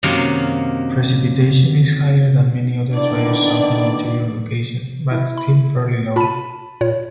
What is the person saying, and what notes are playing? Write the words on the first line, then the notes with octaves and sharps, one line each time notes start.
Precipitation is higher than many other drier Southern Interior locations, but still fairly low.
F#2 C3 D#3 F#3 A#3 F5
D3 D#3 B3 D4 E4 D5
E4
B5
F4 A5 B5 D#7
A#2 F4 C#5